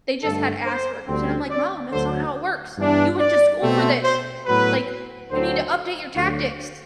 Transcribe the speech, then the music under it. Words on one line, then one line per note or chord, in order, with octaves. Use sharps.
They just had Asperger's," and I'm like, "Mom, that's not how it works. You went to school for this. Like, you need to update your tactics."
G2 D3 A3 A4
C5
D2 D3 G3 C4
D5
D2 D3 F#3 C5
G2 E3 B3 D4
D5
B2 A3 C4
C5
A2 F#3 B3 B4
D2 D3 F#3 C4 C5
D2 D3 F#3 F#4